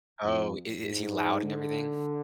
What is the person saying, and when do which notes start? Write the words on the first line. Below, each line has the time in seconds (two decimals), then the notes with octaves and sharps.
Oh, i is he loud and everything?
0.24 F2
0.84 G#2
1.43 D3